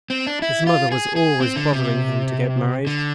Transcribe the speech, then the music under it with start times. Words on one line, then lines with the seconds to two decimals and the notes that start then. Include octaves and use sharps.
His mother was always bothering him to get married.
0.10 C4
0.27 D4
0.42 E4
0.67 F4
0.92 G#4
1.16 G#4
1.40 C4
1.56 D3
1.73 C3
2.87 D3